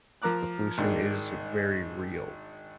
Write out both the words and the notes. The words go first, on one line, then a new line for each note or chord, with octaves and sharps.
the pollution is very real.
F3 A#4 A#5 D6 F#6
G#1 D#3 D4 G#4